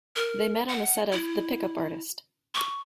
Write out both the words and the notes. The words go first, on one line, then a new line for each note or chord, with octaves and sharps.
They met on the set of "The Pick-up Artist".
A#4
F#5
E4
C#6